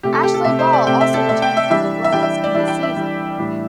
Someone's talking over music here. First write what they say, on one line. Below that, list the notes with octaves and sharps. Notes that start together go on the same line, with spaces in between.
Ashleigh Ball also returned for the roles in this season.
C3 A3 C4 G4
A4
G4
A4
C3 A3 C4 E5
C5
D5
C3 A3 C4 G5
E5
A4
C3 A3 C4 E5
G5
E5
E3 G3 D4 E5
E5
E3 G3 D4 G5
E5
D5
E3 G3 D4 E5
G5
E5
E3 G3 D4
A2 E3 G3 D4